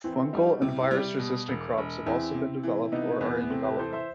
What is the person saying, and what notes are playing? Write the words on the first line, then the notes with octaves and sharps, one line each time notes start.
Fungal and virus resistant crops have also being developed or are in development.
E3 C4 E4
G3 D#4 F#4
C3 E4 G4
E4 G4
G3
B2
E1
E1
E2 C4 E4
C3
E3
C3 B3 D#4
E2 B3
B3
C3 A3 C4
G4 B4
E3 A4 C5
C5 E5